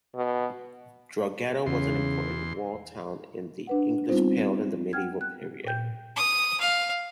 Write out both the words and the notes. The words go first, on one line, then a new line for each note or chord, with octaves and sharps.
Drogheda was an important walled town in the English Pale in the medieval period.
B2
E2 C#3 C6
D4 B4 F#5
G3 B3 C4 D#4 F4 C5
F#5 G5 F6 G#6
F#6
A#2 G5 G6
D#6
F5